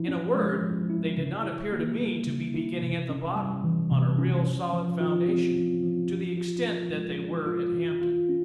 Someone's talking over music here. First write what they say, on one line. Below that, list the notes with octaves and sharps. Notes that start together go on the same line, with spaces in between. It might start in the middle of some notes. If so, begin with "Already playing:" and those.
In a word, they did not appear to me to be beginning at the bottom, on a real, solid foundation, to the extent that they were at Hampton.
Already playing: F3 E4
C#4
G#3
F3
E4
C#3
E4
A#3
G3
C#3
E4
C3
C#4
G3
E3
C3
C#4
F3
F3
F4
C4
F3
F3
F3
F4
C#4
G#3
F3
F4
E3
F4
C#4